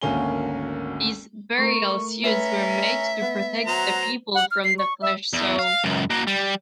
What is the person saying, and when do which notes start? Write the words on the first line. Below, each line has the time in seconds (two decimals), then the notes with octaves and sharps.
These burial suits were made to protect the people from the flesh-soul.
0.02 G#1 D2 A#3 C#4 G#5 G7
1.58 A3 A#4 C#6
2.24 C#4 A4 B4 E5 A#5
3.21 B3
3.67 F#3 C5 F#5 A#5
4.35 F#5
4.51 F6
4.64 C7
4.78 C#6
5.02 E5
5.34 E2
5.59 F5
5.84 C#2 F#2
6.10 A#3 F#4
6.27 G3